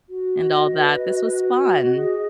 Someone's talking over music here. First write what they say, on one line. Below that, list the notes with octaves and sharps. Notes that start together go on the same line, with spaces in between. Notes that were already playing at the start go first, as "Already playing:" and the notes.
and all that, this was fun.
F#4
D#5
B4
F#4
F#4
D#5
G#4